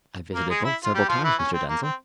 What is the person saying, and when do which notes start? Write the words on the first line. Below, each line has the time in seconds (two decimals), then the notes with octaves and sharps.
"I've visited both several times, Mr. Denzil."
0.34 A#3 A#4
0.50 G#3 G#4
0.64 E4 E5
0.84 F4
0.94 G3 G4
1.09 F3 F4
1.24 E3 E4
1.39 C#4
1.54 C4
1.69 A#3
1.83 C4